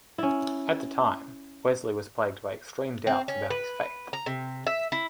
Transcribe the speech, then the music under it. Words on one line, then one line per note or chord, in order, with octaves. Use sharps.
At the time, Wesley was plagued by extreme doubts about his faith.
C#4 E4
C4
C#4
B4
A#5
C3
E5
E4